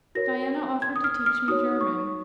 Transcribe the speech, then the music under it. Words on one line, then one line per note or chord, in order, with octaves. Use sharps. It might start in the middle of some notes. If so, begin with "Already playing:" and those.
Diana offered to teach me German.
F#4 A#4 C#5 A#6
G#6
D#6
F6
F6
D#4 F#4 C#5 D#6
C#6